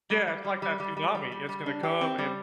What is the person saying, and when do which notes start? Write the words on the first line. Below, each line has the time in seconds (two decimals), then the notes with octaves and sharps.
Yeah, it's like that tsunami, it's gonna come, and
0.10 G3
0.27 G3
0.44 G3
0.62 G3
0.80 G3
0.97 G3
1.15 G3
1.32 G3
1.49 G3
1.66 D4
1.83 G4
2.01 C4
2.18 G3